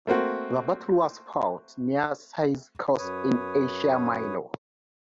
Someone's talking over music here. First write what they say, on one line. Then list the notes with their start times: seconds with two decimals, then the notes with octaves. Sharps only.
The battle was fought near Cyzicus in Asia Minor.
0.07 A3 A#3 C4 F#4
2.98 F#2 B4 C#5 D#6